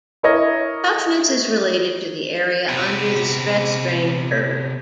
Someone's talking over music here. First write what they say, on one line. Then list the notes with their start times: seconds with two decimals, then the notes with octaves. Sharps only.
Toughness is related to the area under the stress-strain curve.
0.23 E4 A#4 C#5 D#5
2.69 C3 B3